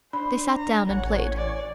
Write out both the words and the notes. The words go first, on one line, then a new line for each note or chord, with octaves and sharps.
They sat down and played.
D4 C5 B5
A#5
A1 C#5 F#5 G#5
D5